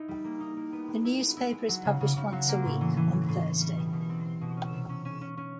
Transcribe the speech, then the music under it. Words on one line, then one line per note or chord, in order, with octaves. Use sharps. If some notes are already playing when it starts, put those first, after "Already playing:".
The newspaper is published once a week on Thursday.
Already playing: D#4 E4
G3
A#3
D#4
A#3
B3
G#3
E4
B3
E4
G#3
F#3
C#3
C#3
C#3
F#3
A#3
A2
E3
E3
A2
A2
A2
G3
B2
B2
C4
C4
B2
C#4
C3
C#4
C#4
C#4
C#4